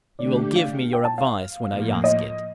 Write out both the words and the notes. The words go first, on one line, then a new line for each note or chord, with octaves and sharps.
You will give me your advice when I ask it.
D3 A3 D4 G4 D5
F5
G5
A5
F5
A2 F3 A#3
D#5